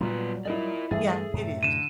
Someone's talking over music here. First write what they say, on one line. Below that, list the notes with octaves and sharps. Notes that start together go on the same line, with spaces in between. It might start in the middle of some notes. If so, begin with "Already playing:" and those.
Yeah, it is.
F#2 A#2 F#3 G3 B3 F4 B4
E4 F4 A#4 D5 D#5
G2 E3 A3 G#4 A4 E5 A6
F#2 A2 C3
D3 D#7 E7